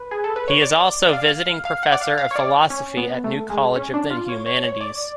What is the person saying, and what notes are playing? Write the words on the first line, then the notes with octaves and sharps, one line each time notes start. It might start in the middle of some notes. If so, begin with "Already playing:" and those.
He is also Visiting Professor of Philosophy at New College of the Humanities.
Already playing: B4
G#4
A4
B4
C#5
D5
D5
F5
F5
F#5
D5
F5
F5
C#5
D5
C#4
B3
A3
G#3
C#4
D4
F4
C#5
C#5
C#5
D5